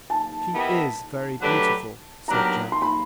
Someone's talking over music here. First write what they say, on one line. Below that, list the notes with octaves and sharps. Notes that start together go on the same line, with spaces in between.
"She is very beautiful," said Jack.
A5
B3 E4 G4 A#4 D#5
F#3 A3 D4 G4 B4
F#3 B3 D4 G4 A#4 A#5
C6
B5